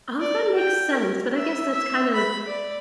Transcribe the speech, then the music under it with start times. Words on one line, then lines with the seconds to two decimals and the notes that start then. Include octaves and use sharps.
All that makes sense, but I guess that's kind of,
0.20 D5
0.57 G5
0.93 A#4
1.35 E5
1.72 E5
2.14 B5
2.47 D5